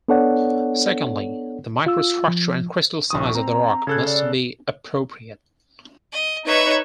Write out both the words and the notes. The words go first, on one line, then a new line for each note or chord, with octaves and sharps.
Secondly, the microstructure and crystal size of the rock must be appropriate.
B3 D4 A4 C#5 D5 F#5
F4 E6
F3
A#1 D#2 C#6 D#6
C4 A#5
C#3 A4 F#6 G#6
D5
D#5
D#4 B4 C#5 E5